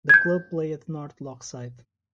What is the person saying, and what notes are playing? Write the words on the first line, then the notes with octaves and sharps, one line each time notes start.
The club play at North Lochside.
G6 G#6